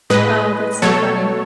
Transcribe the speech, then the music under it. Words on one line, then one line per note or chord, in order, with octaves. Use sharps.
Oh, that's so funny.
A2 G#3 B4 D#5
B2 F#3 A3 A4 C#5